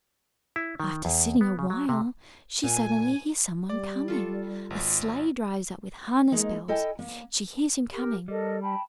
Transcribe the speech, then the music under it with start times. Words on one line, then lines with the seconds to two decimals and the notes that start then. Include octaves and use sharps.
After sitting a while, she suddenly hears someone coming... a sleigh drives up with harness bells; she hears him coming!
0.56 E4
0.80 D#3
1.05 E2
1.41 B3
1.59 C#3
1.70 F#3
1.89 C3
2.64 A#2 G#5
3.70 G3 D5
4.08 F4 A4 C#6
4.70 G#1
6.32 G#3 A#3 D#4
6.68 E4 A4 D#5 G5 G#5
6.99 A#3
7.91 G4 A#4
8.28 G3 A4 A#4 D#5
8.61 G5 A5 B5